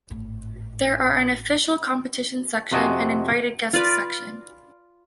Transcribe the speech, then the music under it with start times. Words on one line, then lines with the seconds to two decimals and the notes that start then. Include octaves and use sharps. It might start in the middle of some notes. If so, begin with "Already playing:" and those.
There are an official competition section and invited guest section.
0.10 G#1 A2
2.71 F2 C3 F#4 D#5 G#5 A5
3.73 F4 B4 D5